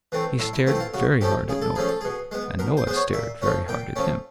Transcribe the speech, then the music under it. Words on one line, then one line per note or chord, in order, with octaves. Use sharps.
He stared very hard at Noah, and Noah stared very hard at him.
E3 A3 C4
A2 E4
E4
E3 A3 C4 F4
E4
F4
C#3 F#4
F3 A3 C#4 G4
C#3 G#4
A4
F3 A3 C#4 G#4
A4
B2 G#4
G#3 B3
B2 A#4
C5
G#3 B3 C5
C#5
A#2 E5
F3 A3 C#4
A#2 G5
F3 A3 C#4